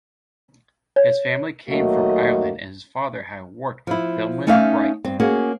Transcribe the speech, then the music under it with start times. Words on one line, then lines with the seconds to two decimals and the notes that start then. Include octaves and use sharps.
His family came from Ireland and his father had worked with Philemon Wright.
0.96 C#5
1.69 D#2 F#3 A3 A#3 F#4 D#5
3.87 F3 E4
4.47 A3 C#4 D#4 E4 E5 F5
5.05 G2 C4
5.20 A#3 C#4 F#4 G#4